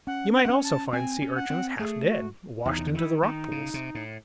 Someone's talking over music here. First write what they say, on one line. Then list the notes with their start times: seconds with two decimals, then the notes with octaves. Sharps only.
You might also find Sea-urchins half-dead, washed into the rock-pools.
0.07 C#4 F#5
0.36 F#5
0.45 C4
0.49 C#4
0.64 A5
0.93 C4 G#5
1.22 C#4
1.36 F#5
1.50 C4
1.79 A3 G#4
2.08 F#4
2.65 E2 D#4
2.78 C3
2.87 C#3
2.94 D#3 E4
3.23 D#3 D#4
3.51 C#3
3.74 C3
3.95 A2